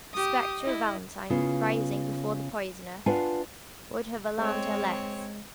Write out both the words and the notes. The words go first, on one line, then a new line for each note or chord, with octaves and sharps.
The spectre of Valentine rising before the poisoner would have alarmed her less.
G4 D#6
E4 D#5
C#3 B3 F4
D4 F4 B4 F5 F#5 G#5
G#3 C4 C#5